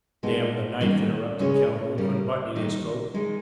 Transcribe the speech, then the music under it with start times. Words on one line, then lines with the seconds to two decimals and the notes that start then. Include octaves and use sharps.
"Damn the knife!" interrupted Calhoun, unbuttoning his coat.
0.23 B2 G#3 B3 D#4
0.81 D#3 G3 A#3 C#4
1.39 C#3 G#3 C#4 G#4 C#5
1.98 C#3 G3 C#4 G4 A#4
2.56 D#3 G3 A#3 D#4
3.14 D#3 G#3 D#4